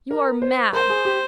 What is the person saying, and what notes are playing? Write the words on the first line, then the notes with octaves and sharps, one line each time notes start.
'You are mad!
A#4
C5
A#4 C5
G#4
G4